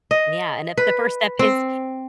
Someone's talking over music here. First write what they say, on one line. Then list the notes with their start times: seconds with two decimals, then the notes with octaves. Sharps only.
Yeah, and if the first step is
0.11 D#5
0.77 B4
1.39 C4